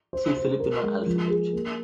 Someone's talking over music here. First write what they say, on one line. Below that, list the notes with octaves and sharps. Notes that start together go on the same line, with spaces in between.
See Filipino alphabet.
C5
C5
A#4
G#3
F3
G#4
A#3